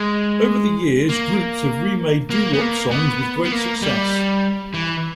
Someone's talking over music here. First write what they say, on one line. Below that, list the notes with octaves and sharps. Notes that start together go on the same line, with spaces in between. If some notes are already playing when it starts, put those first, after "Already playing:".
Over the years groups have remade doo-wop songs, with great success.
Already playing: G#3
A#3
A#3
B3
A#3
B3
B3
A#3
G3
E3